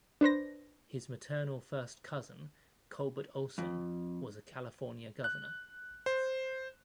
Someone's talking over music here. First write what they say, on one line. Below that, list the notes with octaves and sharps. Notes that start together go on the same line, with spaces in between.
His maternal first cousin Culbert Olson was a California governor.
D4 B4 C5 A#6
F2
F#6
C5